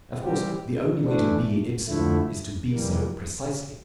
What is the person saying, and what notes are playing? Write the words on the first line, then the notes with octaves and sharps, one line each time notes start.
Of course the only way to be Ibsen is to be so precisely.
E3 G3 C4 G4
E3 A3 D4
F2 D3 F3 A3 E4
F2 C3 E3 G3 A#3